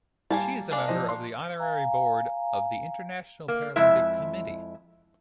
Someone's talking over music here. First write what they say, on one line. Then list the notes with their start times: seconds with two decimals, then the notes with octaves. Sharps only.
She is a member of the honorary board of the International Paralympic Committee.
0.31 G3 A#3 G#5 A5
0.71 G#3 A#3 D4
0.88 F3 C5 D#5
1.09 C6
1.59 F5 G#5 A#5
3.48 A#3
3.76 F2 G#3 E4 E5